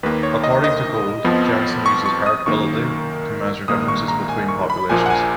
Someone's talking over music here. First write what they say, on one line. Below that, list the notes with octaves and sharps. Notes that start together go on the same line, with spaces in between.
According to Gould, Jensen uses heritability to measure differences "between" populations.
D#2 D#3 A#3 B4
C#5
D#5
D#5
F2 F3 B3
C#6
C#6
D#6
F#2 D#3 A#3 C#6
A#1 G#2 D#3 A#3 D#6
C#6
A#5
G#5
C#6
B5
A#1 A#2 F3 A#3 G#5
F#5
G#5